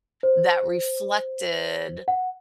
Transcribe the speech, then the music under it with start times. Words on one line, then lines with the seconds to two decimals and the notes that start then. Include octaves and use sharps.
that reflected
0.23 C5
2.08 F#5